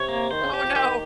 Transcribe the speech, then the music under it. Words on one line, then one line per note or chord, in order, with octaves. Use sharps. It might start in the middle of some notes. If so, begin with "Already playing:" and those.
Oh, no!
Already playing: C3 C#5
A#3
D#3 C5
C#3
C3 G4
F3
D#3 G4